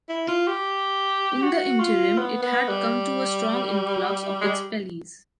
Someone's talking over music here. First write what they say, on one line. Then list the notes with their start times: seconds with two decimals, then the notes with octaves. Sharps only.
In the interim it had come to a strong influx of expellees.
0.09 E4
0.28 F4
0.47 G4
1.42 F#4
1.80 F4
2.18 B3
2.42 B3
2.68 G3
4.41 G#3
4.44 G3